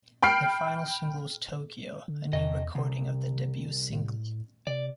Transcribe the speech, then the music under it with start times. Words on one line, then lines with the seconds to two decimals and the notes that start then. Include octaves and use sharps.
Their final single was "Tokyo", a new recording of their debut single.
0.22 G5 B5 F6 C7 D7
2.08 D3
2.33 E2 C3 D#5
2.75 C2 C3
3.90 A2
4.67 C3 D5